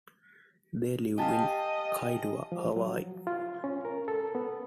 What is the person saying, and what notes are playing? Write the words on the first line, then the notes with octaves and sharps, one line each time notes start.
They live in Kailua, Hawaii.
G4 D#5 F5 G#5 A5
F3
F#3
F4
C#4
A#4
A4
B3